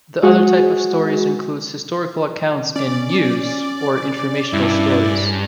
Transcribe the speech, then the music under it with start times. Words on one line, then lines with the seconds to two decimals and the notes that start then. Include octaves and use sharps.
The other type of stories includes historical accounts and "news" or informational stories.
0.23 G#3 F#4 G#4
2.76 C#4 D5
4.53 G2 E4